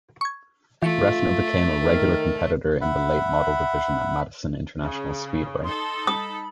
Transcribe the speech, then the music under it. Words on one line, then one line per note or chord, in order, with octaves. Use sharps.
Reffner became a regular competitor in the late model division at Madison International Speedway.
C#6 G#6
E3 A3 F4 C#7
D#3 A#4
E5 F#5 B5
C#3
D#4 A4 C6
B5 D#6